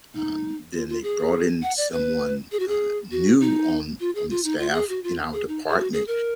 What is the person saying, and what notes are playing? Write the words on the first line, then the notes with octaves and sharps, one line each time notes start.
um, then they brought in someone, uh, new on on the staff in our department,
D#4
F4
F4
G#4
F#5
D5
B4
G#4
F#4
G#4
F#4
D#4
F4
G#4
F4
D#4
F4
F#4
G#4
F#4
F4
G#4
D#4
G#4
F#4
G#4
A#4